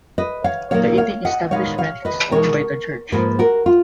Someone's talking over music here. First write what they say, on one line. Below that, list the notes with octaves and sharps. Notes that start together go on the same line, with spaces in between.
The eating establishment is owned by the church.
B4 D#5
C#5 F5
A#2 F#3 A#3 D#4 C#5 F5
C#5 F5
D#5 F#5
A#2 G#3 B3 D#4 C#5 F5
C#5 F5
B4 D#5
B2 G#3 D#4 A#4 C#5
G#2 F3 A#3 G#4 B4
F#4 A#4
F4